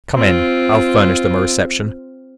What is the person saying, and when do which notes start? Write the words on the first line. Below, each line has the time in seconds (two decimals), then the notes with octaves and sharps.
Come in; I'll furnish them a reception.
0.15 C4 F4